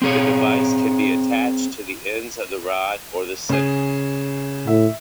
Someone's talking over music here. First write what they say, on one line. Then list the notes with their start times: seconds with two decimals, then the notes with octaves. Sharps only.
The device can be attached to the ends of the rod or the center.
0.02 C4 G#4 C#5
3.49 C#3 G#4
4.67 A2 E5